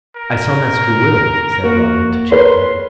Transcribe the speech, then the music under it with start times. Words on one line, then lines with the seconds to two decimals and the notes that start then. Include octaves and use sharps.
"I saw Master Will," said Robin, to check him.
0.16 A#4
1.64 A#3 F#4
2.31 A#4 B4 C#5 C6